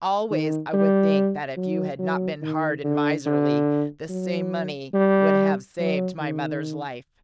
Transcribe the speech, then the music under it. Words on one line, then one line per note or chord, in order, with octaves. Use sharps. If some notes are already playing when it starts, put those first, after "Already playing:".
Always I would think that if you had not been hard and miserly this same money would have saved my mother's life.
D#3
G3
F#3
F#3
D#3
D3
D3
F#3
G3
F#3
D#3